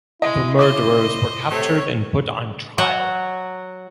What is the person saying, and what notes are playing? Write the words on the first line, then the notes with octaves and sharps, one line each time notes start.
The murderers were captured and put on trial.
G#3 E4 D#5
C5 D#5 D6
C3 A3 C#5
F#3 F#4